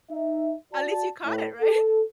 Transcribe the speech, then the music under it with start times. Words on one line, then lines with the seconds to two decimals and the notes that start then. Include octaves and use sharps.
At least you caught it. Right?
0.11 D#4 E5
0.73 F#4 D5 A5
1.25 A2
1.61 A4